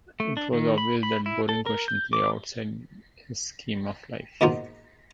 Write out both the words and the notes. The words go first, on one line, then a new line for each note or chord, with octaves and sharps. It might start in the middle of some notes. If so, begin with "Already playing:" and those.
It was obvious that boring questions lay outside his scheme of life.
A3
D4
D#3
B5
B5
E4
A4
A#4
G6
D6
G#2 B2 A#3 D#4 F4